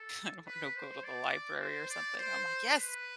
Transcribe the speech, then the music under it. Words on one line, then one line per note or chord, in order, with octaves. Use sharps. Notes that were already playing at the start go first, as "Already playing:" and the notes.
I don't know, go to the library or something, I'm like, "Yes,
Already playing: A4
B4
C5
D5
C5
D5
C5
B4